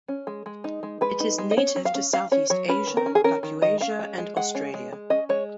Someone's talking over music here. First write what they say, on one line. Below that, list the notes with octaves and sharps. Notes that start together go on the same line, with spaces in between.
It is native to Southeast Asia, Papuasia, and Australia.
C#4
G#3
G#3
D#4
G#3
G#3 B4
D#4
G#3
D#5
C#4 C#5
F#3
F5
C#4
C#4 F5
C#4 C#5
F#3 C#5
C#4 B4
D#3
A#4
C#4
G#4
C#4 A#4
D#3
D#3 D#5
C#4 F5
G#3
G#3
G#3 F#5
C#4
G#3
G#3
C#4 D#5
G#3 C#5